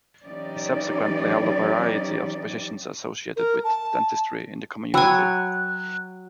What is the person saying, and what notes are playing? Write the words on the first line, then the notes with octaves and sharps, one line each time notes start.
He subsequently held a variety of positions associated with dentistry in the community.
E3 F#3 C#4 D#4 G4 D5
A#4
A5
F#3 G5 G#5 B5 E6 F#6